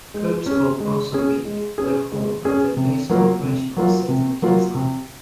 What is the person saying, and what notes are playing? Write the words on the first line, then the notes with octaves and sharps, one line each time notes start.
Herbs call Ponsonby their home, but their base of operations was set in Kingsland.
G#3
C#4 G#4
G#3
C#4 G#4
G#3
C#4 G#4
G#3
C#4 G#4
C3
F#3 A#3 F4
C3
F#3 A#3 F4
C3
F#3 A#3 F4
C3